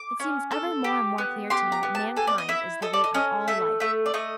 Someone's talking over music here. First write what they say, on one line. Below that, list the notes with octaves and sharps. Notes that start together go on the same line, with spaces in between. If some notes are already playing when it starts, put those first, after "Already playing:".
It seems ever more and more clear to me that mankind is the root of all life.
Already playing: D6
C#4
A4
G4
B3
G4 C6
A#5
B3
A5
A4 G#5
D5
D#5
E4 E5
A4 D#5
D5
D#5
C#4 D#5
A3 E5
A3 E5
D5
A3 D#5